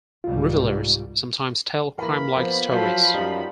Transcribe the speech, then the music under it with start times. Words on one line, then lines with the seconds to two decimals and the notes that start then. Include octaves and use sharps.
Revealers sometimes tell crime-like stories.
0.24 C2 G#2 G3 F4
1.98 E3 A#3 A#4 B5
2.37 F3 A#3 B3
2.71 F3 F#3 B4
3.14 F#2 G3 D#4 F4